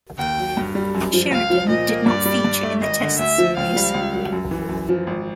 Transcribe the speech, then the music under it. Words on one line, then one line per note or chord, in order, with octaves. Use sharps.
Sheridan did not feature in the Test series.
D#2 G5
F#3
G2
G3
F#2
F3
C#2 F5
F3
A#2 D#5
A#3
G2 D5
G3
G2
A3
G#1 D#5
D3
D2 E5
F3
C#2 F5
G3
C#2
F#3
F#2
E3
F#2
F3
G#1